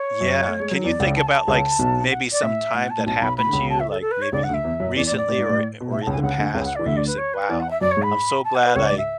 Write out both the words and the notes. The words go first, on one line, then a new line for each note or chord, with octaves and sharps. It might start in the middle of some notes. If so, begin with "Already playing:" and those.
Yeah. Can you think about, like, s maybe some time that happened to you, like, maybe recently or or in the past where you said, "Wow, I'm so glad I
Already playing: C#5
F#2 F#3
A3
G#3
F#3
E2 E3 D5
C#2 C#3
A5
G#5
A5
C#2 C#3
B1 B2
F#5
D5
A2 E5
A2 F#5
A5
A2
B1 B2 A5
B1 B2 B5
A2 B5
D3
C#2 C#3
A5
E5
A4
A4
B4
C#5
C#2 C#3 D5
F#5
D2 D3
E5
E2 E3
F#2 F#3
E2 E3 D5
D5
A2
D5
A2
G#2
A2
B2
A2 E5
A5
C#2 C#3
D3 G#5
C#2 C#3 F#5
D2 D3
C#2 C#3
G#5
F#5
E3 D5
D2 D3 E5
D5
B4
C#5
B4
E2 E3 D5
F#5
E5
F#2 F#3 D5
C#5
G#2 G#3
B5
A5
F#5
B4
C#2 C#3 C#5
D5
G#2
E5